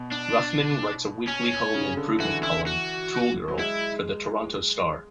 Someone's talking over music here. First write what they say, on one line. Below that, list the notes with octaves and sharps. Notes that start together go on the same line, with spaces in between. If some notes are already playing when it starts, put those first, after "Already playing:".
Ruffman writes a weekly home improvement column, "ToolGirl", for the "Toronto Star".
Already playing: B2
D4
C#4
C#3
D3
E3 F#4
E4
F#4
F#3
G#3 E4